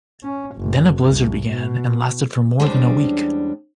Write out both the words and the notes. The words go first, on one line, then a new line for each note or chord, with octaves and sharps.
Then a blizzard began, and lasted for more than a week.
C#4
F#1
C2
B2
E2 G3 G#3 C#4 D4 C5